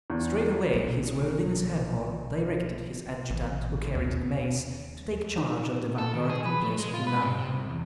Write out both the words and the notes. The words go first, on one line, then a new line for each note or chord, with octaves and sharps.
Straightway his worthiness Herhor directed his adjutant who carried the mace to take charge of the vanguard in place of Eunana.
E2
B1 A#2
A1
D#2
D#4
A4
D#3
G#4
B4
A3
G#3
F4
B4
C3
C3
C2
E2